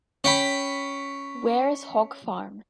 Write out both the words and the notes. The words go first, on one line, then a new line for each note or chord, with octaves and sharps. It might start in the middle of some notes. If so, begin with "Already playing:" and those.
Wares hog farm.
C#4 G5 B5